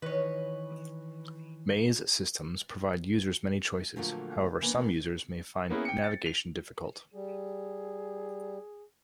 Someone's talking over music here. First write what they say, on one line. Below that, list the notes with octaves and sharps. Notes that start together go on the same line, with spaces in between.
Maze systems provide users many choices; however, some users may find navigation difficult.
D#3 E3 B4 C#5 D#5
A#2 D3 F3 F#3 A3 A#3
E3 A#3 B3 D4
A#3 B3 C#4 E4 G#4 B4
G5 C#7
A6 C#7
F7
G3 G#4